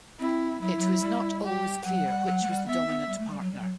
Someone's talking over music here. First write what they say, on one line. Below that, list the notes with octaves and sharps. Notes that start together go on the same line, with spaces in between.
It was not always clear which was the dominant partner.
C4 E4
F#3 E4
F#3
G3
G4
F#3 F#5
G3
F#3
A3
G3
B3 E5
B3
G3
A3
G3
F#3
G3
F#3